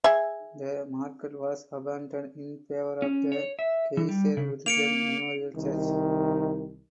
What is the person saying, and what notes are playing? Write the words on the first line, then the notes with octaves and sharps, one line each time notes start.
The market was abandoned in favour of the Kaiser Wilhelm Memorial Church.
G#4 E5
C#4
C#5
E5
E3
G3
C#3
A#3 C#7 D7 F7
C2 D#3